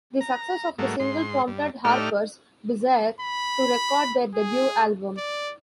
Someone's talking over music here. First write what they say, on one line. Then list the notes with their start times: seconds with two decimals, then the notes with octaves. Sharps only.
The success of the single prompted Harpers Bizarre to record their debut album.
0.21 A#5
0.78 G#2 F#3 A3 A#3
1.00 G#2 C6
1.48 G2
1.85 A2 A3 D#4 G4 D5 F6
3.21 B5
4.34 G#4
5.17 D5